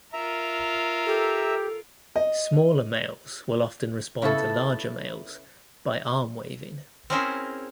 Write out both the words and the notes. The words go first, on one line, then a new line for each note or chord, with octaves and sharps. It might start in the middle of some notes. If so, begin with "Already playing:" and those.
Smaller males will often respond to larger males by arm waving.
F4 A#4 E5 A#5
G4 A4
D#5
C#3 B3 E4 A4
C4 C#4 E4 G#4 A#4 C5